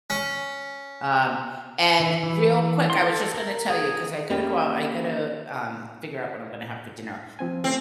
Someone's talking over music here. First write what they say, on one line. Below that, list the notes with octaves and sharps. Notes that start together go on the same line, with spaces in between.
Um, and real quick, I was just gonna tell you, 'cause I gotta go out, I gotta, um, figure out what I'm gonna have for dinner.
C#4
E3
E3
C6
A4
A#4
G#4
A#3 C#4 G4 B4
F3 C4 G#5
A3 C4 C#4